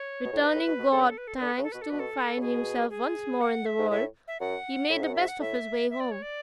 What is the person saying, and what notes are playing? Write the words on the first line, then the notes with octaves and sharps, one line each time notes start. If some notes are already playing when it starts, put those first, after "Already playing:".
Returning God thanks to find himself once more in the world, he made the best of his way home.
Already playing: C#5
B2
A2
G#2 B4
A2
B2
B2
C#3 A4
B4
A4
B4
A4
B4
D3
A4
C#3 B4
A4
B2 B4
A4
B2 B4
A4
C#3
B2 G#4
G#4
F#5
E5
G#2
A2 E5
E5
F#2 F#5
A2 E5
G#2 F#5
F#2
G#2 E5
F#5
A2 E5
E5
D5
C#5
D5